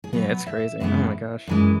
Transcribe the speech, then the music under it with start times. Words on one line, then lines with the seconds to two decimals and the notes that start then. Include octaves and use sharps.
Yeah, it's crazy. Oh my gosh.
0.04 G#4
0.13 B2 F#3 B3 B4
0.47 E5
0.80 F#2 E3 G#3 B3
1.47 F#2 E3 G#3